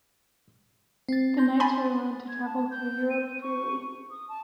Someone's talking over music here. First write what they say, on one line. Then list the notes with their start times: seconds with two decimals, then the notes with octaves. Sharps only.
The Knights were allowed to travel through Europe freely.
1.09 C4 A6
1.37 C6 G6 A#6
1.60 G#5 B5 C6 A6
2.29 G#6
2.45 A5
2.71 G6
3.10 D#7
3.42 C#6
4.10 D#6
4.29 A5